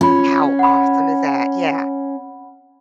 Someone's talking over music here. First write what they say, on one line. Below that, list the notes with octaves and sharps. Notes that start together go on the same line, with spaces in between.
How awesome is that, yeah.
C#4 F4 B5
F#5 B5